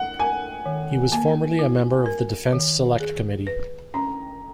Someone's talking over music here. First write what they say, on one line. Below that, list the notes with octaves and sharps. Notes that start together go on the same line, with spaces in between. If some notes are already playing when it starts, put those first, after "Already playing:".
He was formerly a member of the Defence Select Committee.
Already playing: F#5
A#4 G#5
D#3
A#3 G#5
E4
A#4
D#3
G#4
B4
C#4 A#5